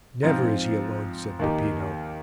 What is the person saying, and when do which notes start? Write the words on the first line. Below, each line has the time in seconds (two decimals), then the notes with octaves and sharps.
"Never is he alone," said Peppino.
0.23 G#2 F3 C4 F4
1.39 D#2 D#3 A#3 D#4 G4